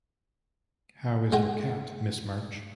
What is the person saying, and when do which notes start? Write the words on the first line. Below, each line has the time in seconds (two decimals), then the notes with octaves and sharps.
How is your cat, Miss March?
1.32 G#3 F#5 G5